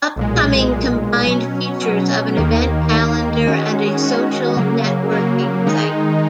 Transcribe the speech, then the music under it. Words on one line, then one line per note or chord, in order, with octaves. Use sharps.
Upcoming combined features of an event calendar and a social networking site.
B1 A#2 G#3
B1 A#2 G#3
B2 F#3 C#4
B2 F#3 C#4
D#2 D#3 A#3
D#2 D#3 A#3
D#3 G#3 C#4 F#4
D#3 G#3 C#4 F#4
C#3 F#3 A#3
C#3 F#3 A#3
D#3 G#3 D#4